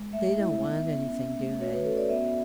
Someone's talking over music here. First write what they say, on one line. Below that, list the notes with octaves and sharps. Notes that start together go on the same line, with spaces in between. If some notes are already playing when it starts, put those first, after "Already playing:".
"They don't want anything, do they?"
Already playing: G#3
A3 E5
E4
B3
B3
C#4
A3
F#4 C#5
B4
C#4 A4
D5
B3 E5